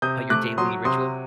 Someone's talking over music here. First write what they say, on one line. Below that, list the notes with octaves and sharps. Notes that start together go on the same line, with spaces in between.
about your daily ritual?
C3 D#6 G6
A3 D6 F#6
F#3 C6 D#6
C3 C6 D#6